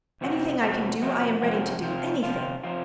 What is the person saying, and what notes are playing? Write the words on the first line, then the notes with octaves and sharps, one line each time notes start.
Anything I can do, I am ready to do anything!
F2 C3 F3 C4 F#4
F2 C3 F3 C4 F#4
F2 C3 F3 C4 F#4
F2 C3 F3 C4 F#4
C3 F3 C4 F4
C3 F3 C4 F4
C3 F3 C4 F4